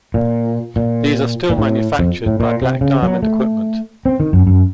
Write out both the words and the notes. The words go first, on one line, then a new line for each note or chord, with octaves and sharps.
These are still manufactured by Black Diamond Equipment.
A#2
A#2
A#2
A2
F2
A2
A#2
C3
C#3
F#3
A3
C4
D#3
F#2
F#2